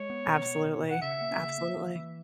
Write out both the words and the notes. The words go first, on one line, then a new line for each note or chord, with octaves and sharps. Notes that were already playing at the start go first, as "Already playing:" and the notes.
Absolutely. Absolutely.
Already playing: G#3 C#5
B3
B2
B3
B2
B2
F#5
C#3 E5
A#3
C#3
A#3
E3
E3